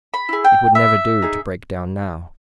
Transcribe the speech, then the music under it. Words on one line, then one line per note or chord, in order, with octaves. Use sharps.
It would never do to break down now.
B5
E4 G#4
G5
B3 E5
D#4 G#4